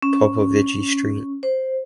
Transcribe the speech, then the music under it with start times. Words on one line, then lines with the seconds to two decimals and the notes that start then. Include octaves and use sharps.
Popovici Street.
0.02 C#4
1.43 C5